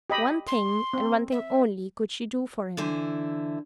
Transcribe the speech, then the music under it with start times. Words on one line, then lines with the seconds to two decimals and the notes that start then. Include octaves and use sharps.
One thing and one thing only could she do for him.
0.10 G4 D#5 B5
0.48 C6
0.93 C4
1.32 E5
2.77 D3 E3 E4 C5